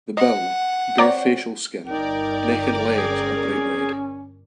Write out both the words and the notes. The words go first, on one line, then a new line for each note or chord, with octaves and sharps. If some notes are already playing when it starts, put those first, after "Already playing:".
The bill, bare facial skin, neck and legs are bright red.
D#5 F#5
C4 C#5 D5 A#5
G1 D#4 A#4 D5 G5
C#4 G#4